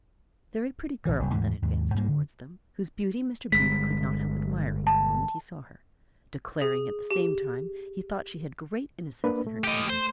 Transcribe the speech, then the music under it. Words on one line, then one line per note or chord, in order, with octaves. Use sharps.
A very pretty girl then advanced towards them, whose beauty Mr. Booth could not help admiring the moment he saw her; declaring, at the same time, he thought she had great innocence in her countenance.
A#1 E3
F#1 C2
D#2 G#2 E3 A3
D#2 G#2
G#2 G3 A#3
D3
G1 G#3 B6
A5
G#4
G4
A#3 D4 B4
A3
G4 D#5
C5